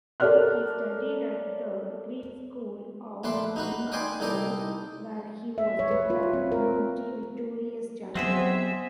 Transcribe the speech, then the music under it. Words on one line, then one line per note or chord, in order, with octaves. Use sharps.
He studied at the Greek School of Limassol where he was declared Multi-victorious Champion.
A4 A#4 C#5 D5 F6 F#6
A#1 A3 B4 D5 C6
D#4 F#4 B4
B4 D5 D#5 G5 G#5 C6
C2 D#4 A4 D5 D#5 G5
E5
C#5
B4
F4
C4
A#4
F#3 B3 C4 G#4 C5 D#5 E5 F#5